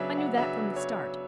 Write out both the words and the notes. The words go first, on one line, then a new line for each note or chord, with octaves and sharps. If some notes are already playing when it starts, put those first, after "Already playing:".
I knew that from the start.
Already playing: C#3 F#3 B3 D4 C#5 E5
F#5
C#3 F#3 B3 D4 E5
C#5